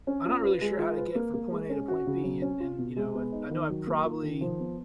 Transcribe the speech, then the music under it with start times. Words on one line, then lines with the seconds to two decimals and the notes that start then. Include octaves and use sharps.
I'm not really sure how to get from point A to point B. And and, you know, and I know I probably
0.07 C#4
0.25 F4
0.43 B4
0.61 G#3
0.79 F4
0.97 B4
1.15 A#3
1.34 A#3
1.52 G#3
1.69 C#4
1.88 F#4
2.06 C#3
2.24 F#3
2.42 C#4
2.60 F4
2.78 B2
2.96 G#3
3.15 B3
3.32 D#4
3.51 D#3
3.69 F#3
3.87 A#3
4.05 F4
4.23 D#3
4.41 F3
4.60 B3